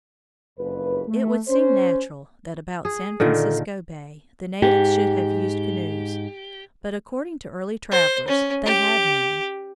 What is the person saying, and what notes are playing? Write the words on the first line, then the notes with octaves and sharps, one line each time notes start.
It would seem natural that about San Francisco Bay the natives should have used canoes, but, according to early travellers, they had none.
F#1 F2 B4
A3
C#4 C5
G#4
A#2 D3 D#3 A4
G#2 G4
C5
C#4
G4